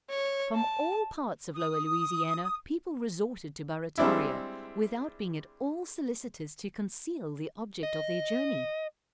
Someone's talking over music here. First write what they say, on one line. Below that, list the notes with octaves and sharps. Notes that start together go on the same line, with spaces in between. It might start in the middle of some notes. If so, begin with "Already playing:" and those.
From all parts of Lower Louisiana, people resorted to Barrataria, without being at all solicitous to conceal the object of their journey.
C#5
A5
D#6
G3 G#3 C4 D4 E4
D#5